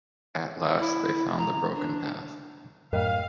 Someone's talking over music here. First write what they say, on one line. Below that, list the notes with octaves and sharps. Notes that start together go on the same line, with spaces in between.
At last they found the broken path.
E4
A#5
D4
F#2 A2 A#4 D#5 F5 G5